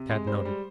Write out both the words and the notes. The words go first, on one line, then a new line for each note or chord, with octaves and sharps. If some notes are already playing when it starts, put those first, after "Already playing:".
Tad nodded.
Already playing: C3
G#3
G3 C5
G3